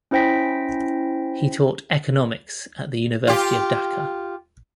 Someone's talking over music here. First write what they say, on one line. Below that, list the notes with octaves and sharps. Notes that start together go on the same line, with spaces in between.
He taught economics at the University of Dhaka.
C#4 E4 C5 G5 A#6 B6
F4 G4